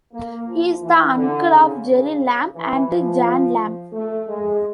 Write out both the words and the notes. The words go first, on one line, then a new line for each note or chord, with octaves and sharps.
He is the uncle of Jerry Lamb and Jan Lamb.
A#3
F3
E3
D3
C#3
C#3
E3
F3
A3
G#3